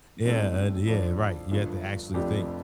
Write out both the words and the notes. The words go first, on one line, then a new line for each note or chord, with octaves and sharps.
yeah, and yeah, right, you have to actually think
A1 A2 G3 C4 A4
F2 F3 D4
G1 G2 F3
F1 F2 F3 D4 G4